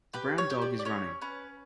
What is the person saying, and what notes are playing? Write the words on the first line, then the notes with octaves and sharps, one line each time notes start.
The brown dog is running.
G4 B4
C#5
G4
D5
D5
C#4 C#5
C#4 B4